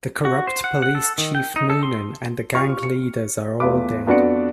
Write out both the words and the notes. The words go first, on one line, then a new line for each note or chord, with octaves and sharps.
The corrupt police chief Noonan and the gang leaders are all dead.
F#4
C5
F#5
F#5
A4
D#3
G5
D#4
A4
C6
F4 G4 C#6 F6
C#7
E2 A3 F4 B4 D6
F2 B3 D4 F#4 D5 C#7